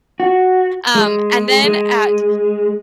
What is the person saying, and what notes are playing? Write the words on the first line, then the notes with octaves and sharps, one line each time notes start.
Um, and then at
F#4
G#3
G#3